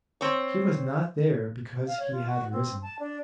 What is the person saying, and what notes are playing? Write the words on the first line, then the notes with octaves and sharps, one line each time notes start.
He was not there because he had risen.
C4 C#5
F5
C#5
F4
F#4
C4
A5
D4